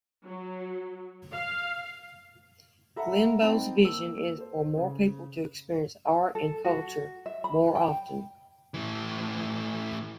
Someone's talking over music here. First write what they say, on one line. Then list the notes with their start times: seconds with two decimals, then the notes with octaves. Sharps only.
Glenbow's vision is for more people to experience art and culture more often.
0.24 F#3
1.32 F5
2.96 A4 E5 F#5 A#5 B5
3.42 C4 D#4 G5 A5 B5
3.81 A#3 E6
4.38 A4 C5
4.77 C#3
6.35 A4
6.65 F#4
7.26 E5
7.44 B5
7.75 G5
8.74 A2 E3